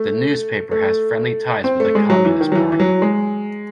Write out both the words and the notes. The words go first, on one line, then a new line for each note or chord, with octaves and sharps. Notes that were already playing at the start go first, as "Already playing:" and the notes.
The newspaper has friendly ties with the Communist Party.
Already playing: A3
A3
C4
A3
G#3
F#3
E3
D#3
F#3
E3
E3
F#3
G#3